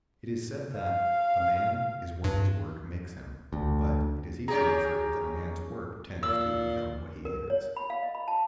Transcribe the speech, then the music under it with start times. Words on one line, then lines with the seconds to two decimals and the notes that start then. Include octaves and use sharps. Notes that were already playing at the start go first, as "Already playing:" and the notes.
It is said that "A man is what his work makes him," but it is equally true that a man's work tends to become what he is.
0.76 F5
2.24 G2
3.53 D2
4.48 C#4 G4 G#4 A#5
6.23 A#2 E6
7.25 A#4
7.50 C#5
7.76 B5
7.90 F5
8.03 D#5
8.15 B5
8.28 A5